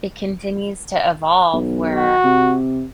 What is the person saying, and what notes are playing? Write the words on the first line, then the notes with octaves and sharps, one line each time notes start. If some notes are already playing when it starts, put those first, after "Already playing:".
it continues to evolve where
B1
F#4
C3